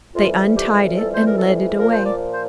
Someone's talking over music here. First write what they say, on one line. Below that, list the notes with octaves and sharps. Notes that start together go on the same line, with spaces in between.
They untied it, and led it away.
F2 E3 G3 F4
G4
A4
C5
A#4
A4
A#2 F3 A#4
C5
D5
C5